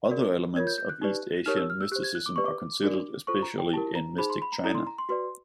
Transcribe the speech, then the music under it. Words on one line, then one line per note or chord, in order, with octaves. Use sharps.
Other elements of East Asian mysticism are considered, especially in "Mystic China".
F#4 A#4 D5
F4 A#4 C#5 G#6
G6
G6
F#6
D#4 G4 B4 D5
D#4 G4 A#4 C#5 F6
E6
F6
E6
G4 C5 F#6
G#6
F#6
D6
G4 B4 D5 C#6
D6
D4 F#4 A#4 D5
F4 A4 C5 C#6
A#5
G5
E4 G4 A#4 A5
A#5
D#4 G#4 C5 B5
C6
B5
A#5
E4 A4 D5 A#5
C6
A#5
C6
F#4 B4 D5 C6